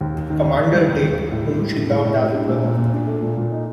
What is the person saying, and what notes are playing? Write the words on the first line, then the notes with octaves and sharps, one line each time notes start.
Commander Date, whom she loved as a brother.
D#2
D#3
D#3
D#2
D#2
G3
D#2
D#2
G3
A2
A2
G3
A2
A2
A2
A2
D4
A#2
A#2
A#2
D4
A3
A#2
A#2
D#4